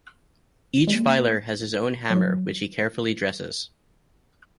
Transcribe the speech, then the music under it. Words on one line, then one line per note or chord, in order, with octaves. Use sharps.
Each filer has his own hammer which he carefully dresses.
G#3
A#3
F#3